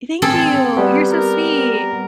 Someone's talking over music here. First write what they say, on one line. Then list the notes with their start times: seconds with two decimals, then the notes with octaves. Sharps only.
Thank you. You're so sweet.
0.22 C4 G#4 A4
0.77 G3 B3
1.12 A#4